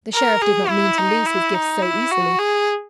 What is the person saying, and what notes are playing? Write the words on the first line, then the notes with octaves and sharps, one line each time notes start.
The Sheriff did not mean to lose his gifts so easily.
A#4
G#4
E4
D#4
E4
D#4
E4
F#4
G#4